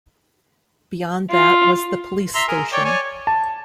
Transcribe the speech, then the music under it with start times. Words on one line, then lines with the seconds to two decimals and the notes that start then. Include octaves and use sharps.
Beyond that was the police station.
1.31 F4
2.35 E5 A#5 C6
2.48 G#4 A#4
2.73 C#5 D5 G5
2.85 C#5 D5 G#5
3.27 A5